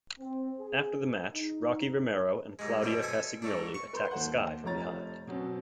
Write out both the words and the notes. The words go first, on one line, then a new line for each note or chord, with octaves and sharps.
After the match Rocky Romero and Claudio Castagnoli atttacked Sky from behind.
C4
G#4
D#4
D#2 G#2 G#3
F#2 B2 C4 D4
A4 E5 G#5 D#6
G#2 A3 D4
C#6
B4 C6 G6
D#2 C5 F#5
F1 F3 C#5 A#5 A6
B2 F#3 C4 C#4